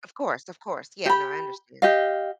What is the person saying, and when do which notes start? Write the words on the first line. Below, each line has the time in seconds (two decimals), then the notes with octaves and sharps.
Of course, of course, yeah, no, I understood.
1.06 G4 B5
1.82 G4 D#5 F5